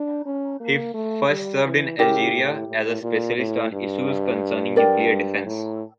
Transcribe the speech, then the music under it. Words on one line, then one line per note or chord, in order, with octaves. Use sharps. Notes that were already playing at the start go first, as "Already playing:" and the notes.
He first served in Algeria as a specialist on issues concerning nuclear defense.
Already playing: D4
C#4
A#3
A3
G3
E3
C#3 E4 G4 A#4
A2
A2
A#2
A2
G2
A#4 D5 G5
A2